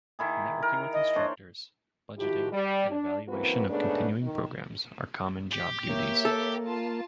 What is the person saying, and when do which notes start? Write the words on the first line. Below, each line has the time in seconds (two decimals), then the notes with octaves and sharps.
Networking with instructors, budgeting, and evaluation of continuing programs are common job duties.
0.19 D#3 E4 G#4
0.62 A#4
0.94 D#5
1.16 D4 C5 C#5
2.19 D#3 F3 E4 F#4 G4
2.52 G3
2.90 D4
3.28 F#2 E3 A#3 C4 F#4 B4
3.68 G#2 C#3 A3 B3 D4
4.22 D#3
5.53 G4
5.89 A#3 C#5 E5
6.25 A4
6.64 F4 A5